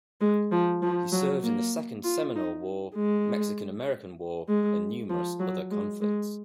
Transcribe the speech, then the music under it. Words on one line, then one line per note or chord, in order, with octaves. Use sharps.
He served in the Second Seminole War, Mexican-American War, and numerous other conflicts.
G#3
F3
F3
F#3
A#3
F4
D#4
G#3
G#3
F3
F#3
G#3
G#3